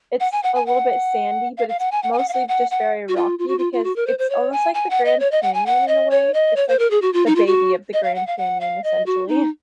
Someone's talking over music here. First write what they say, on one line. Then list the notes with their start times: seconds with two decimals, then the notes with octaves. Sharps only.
it's a little bit sandy, but it's mostly just very rocky because it's almost like the Grand Canyon in a way. It's like the baby of the Grand Canyon, essentially.
0.20 F#5
0.32 G#5
0.43 F#5
0.55 G#5
0.66 F#5
1.57 F5
1.69 F5
1.79 F#5
1.92 G#5
2.03 F#5
2.13 G#5
2.18 F#5
2.29 F5
2.33 F#5
2.48 F#5
2.71 F#5
3.08 F#4
3.16 F4
3.39 F4
3.48 F#4
3.59 F4
3.73 F4
3.84 F#4
3.96 A#4
4.07 C5
4.19 C5
4.30 C#5
4.52 G#5
4.74 G#5
4.90 F#5
5.05 D#5
5.20 C#5
5.31 D#5
5.42 F#5
5.54 G#5
5.66 F#5
5.88 D#5
6.11 C#5
6.34 D#5
6.56 C#5
6.68 C5
6.79 A#4
6.91 G#4
7.02 F#4
7.13 F4
7.26 D#4
7.36 F4
7.47 F#4
7.93 D#5
8.03 F5
8.15 F#5
8.27 F5
8.38 F#5
8.61 F5
8.84 D#5
9.06 F#4
9.28 D#4